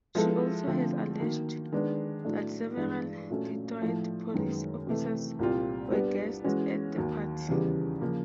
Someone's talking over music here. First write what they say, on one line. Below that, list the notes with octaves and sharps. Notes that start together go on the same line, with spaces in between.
She also has alleged that several Detroit police officers were guests at the party.
F3 G#3 B3 E4 A4
D3 F3 A3 C4
D#3 F#3 A#3
D#3 G#3 B3 D4
A2 F#3 A3 D4
G2 E3 G#3
A#2 F#3 A3 C#4
A2 F3 A3
F#2 D#3 G#3 B3
C3 E3 A3
C2 A#2 G3 C4 F4
G3 B3 D4
E3 G#3 C#4 F#4
D#2 D#3 F#3
E2 C#3 E3 G3
C#3 F3 A#3